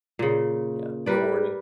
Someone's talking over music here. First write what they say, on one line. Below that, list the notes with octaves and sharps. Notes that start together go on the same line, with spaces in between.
yeah, rewarding.
A#2 C#3
G3 A#4 B4 D5